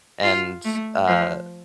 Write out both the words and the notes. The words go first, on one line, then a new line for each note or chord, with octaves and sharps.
and, uh-
F4
A3
F3